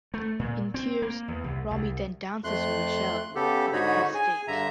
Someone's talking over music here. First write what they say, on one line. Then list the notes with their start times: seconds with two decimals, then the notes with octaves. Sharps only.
In tears, Romy then dances with Michele in a depressed state.
0.14 A3
0.39 A#2
0.74 C4
1.02 A#3
1.28 E2
1.44 C2
1.71 C2
2.44 F2 A3 C6 F#6
3.35 C#3 B3 G4 A4
3.73 G#2 D3 D#4 F#4 C#5 B5
4.14 G#4 G#5
4.48 G2 D3 E5 A#5